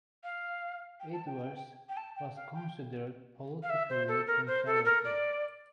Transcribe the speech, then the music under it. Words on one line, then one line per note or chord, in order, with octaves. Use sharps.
Edwards was considered politically conservative.
F5
G5
A5
G5
G5
A5
G5
F5
G5
F5
E5
C5
A4
A#4
C5
A4
A#4
D5